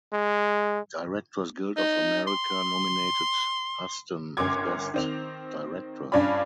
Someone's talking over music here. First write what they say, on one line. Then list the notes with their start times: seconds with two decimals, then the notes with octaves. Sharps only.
Directors Guild of America nominated Huston as best director.
0.13 G#3
1.77 D#4
2.27 C6
4.37 G1 C#4 A#4 C6 D6 G#6
4.94 D#3 C4 F7
6.12 G2 C#4 D4 F4 D5 B5